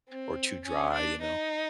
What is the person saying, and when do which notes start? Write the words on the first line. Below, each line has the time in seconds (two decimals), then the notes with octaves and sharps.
or too dry, you know?
0.09 C4
0.65 C#4
0.93 D4
1.22 D#4